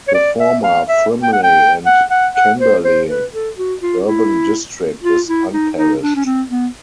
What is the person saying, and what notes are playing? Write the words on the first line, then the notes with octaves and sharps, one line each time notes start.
The former Frimley and Camberley Urban District is unparished.
C#5
D5
E5
F5
E5
G5
F#5
G5
F#5
F#5
F#5
C5
C5
B4
A4
F#4
F4
E4
F4
E4
D#4
D#4
D4
C#4
C4
B3